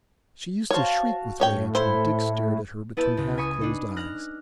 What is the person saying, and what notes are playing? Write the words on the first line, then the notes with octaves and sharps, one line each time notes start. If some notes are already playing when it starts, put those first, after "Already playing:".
She used to shriek with rage when Dick stared at her between half-closed eyes.
F#4 C5 C#5 F5 A5
A2 C#4 C#5 G5
E4 A4 C5
B3 E4 B4 A5 G6
C#2
G#5 B5 C#6 D#6
D4 D#4
F6 F#6 A#6